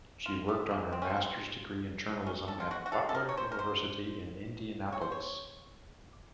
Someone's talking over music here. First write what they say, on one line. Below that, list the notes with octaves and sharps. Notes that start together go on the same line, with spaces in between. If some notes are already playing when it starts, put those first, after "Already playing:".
She worked on her Master's degree in Journalism at Butler University in Indianapolis.
F4
A3
A#3
C4
C#4
C4
C#4
A4
F4
F#4
F#4
A4
A4
A#4
C#5
C5
A#4
C5
C#5
C5
C#5